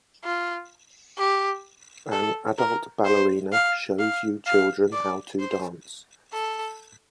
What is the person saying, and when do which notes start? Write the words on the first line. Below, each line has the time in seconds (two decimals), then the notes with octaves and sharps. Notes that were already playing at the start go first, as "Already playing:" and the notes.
An adult ballerina shows you children how to dance.
0.24 F4
1.18 G4
2.12 A4
2.58 A#4
3.05 C5
3.53 F5
3.99 F5
4.46 F5
4.93 D5
5.39 C5
6.33 A4